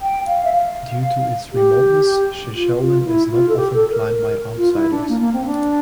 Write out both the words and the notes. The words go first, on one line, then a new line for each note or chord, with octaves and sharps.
Due to its remoteness Shishaldin is not often climbed by outsiders.
G5
F5
E5
F5
G4
F4
F4
E4
F4
A4
G4
A4
A#4
F4
E4
D4
A#3
A#3
C4
D4